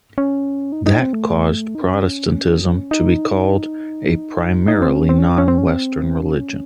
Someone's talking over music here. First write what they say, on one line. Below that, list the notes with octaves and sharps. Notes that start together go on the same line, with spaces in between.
That caused Protestantism to be called a primarily non-Western religion.
C#4
D#4
D#4
C4
A3
D#4
C#4
D#4
D#4
C4
C#4
C4
C#4
C4
C#4
C4
C#4
C4
C#4